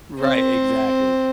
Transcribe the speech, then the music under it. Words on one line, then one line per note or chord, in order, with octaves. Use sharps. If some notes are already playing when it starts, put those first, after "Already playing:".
Right, exactly.
C4